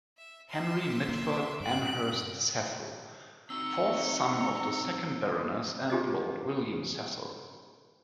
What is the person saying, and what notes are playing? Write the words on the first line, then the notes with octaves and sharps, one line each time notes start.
Henry Mitford Amherst Cecil, fourth son of the second Baroness and Lord William Cecil.
E5
E5 C6
A#3
G2 F#6 D7
C4 D#4 F#4 A#5 C#6 E6
D4 F4 G4 G#4 C5 D#5